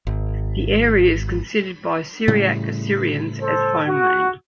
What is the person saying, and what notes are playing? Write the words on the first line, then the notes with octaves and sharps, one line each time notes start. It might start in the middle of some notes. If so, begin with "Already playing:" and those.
The area is considered by Syriac-Assyrians as 'homeland'.
G#1
A2 C#3 G3
A4 C5
F#4